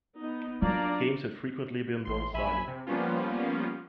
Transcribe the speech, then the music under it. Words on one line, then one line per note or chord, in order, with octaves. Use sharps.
Games had frequently been one-sided.
B3 D#4
F#3 A#3 D4 F4 D5 A#5
A1 C6
A#1 E5 G#5 B5
C3
F3 G3 A#3 B3 C#4 F4